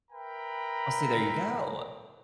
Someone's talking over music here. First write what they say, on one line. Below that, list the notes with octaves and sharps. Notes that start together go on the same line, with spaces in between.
Oh see, there you go.
A#4 B4 E5 G5 A#5 B5